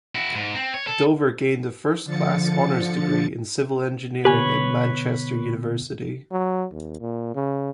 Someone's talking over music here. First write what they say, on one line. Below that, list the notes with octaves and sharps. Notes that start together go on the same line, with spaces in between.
Dover gained a First Class Honours degree in Civil Engineering at Manchester University.
E4 F#4
G#2
C4
C#5
A4
D3 F3 A6 C#7
B2 D3 B3 G4 B4 C#5 G#5
F#3
D#2
A#2
C#3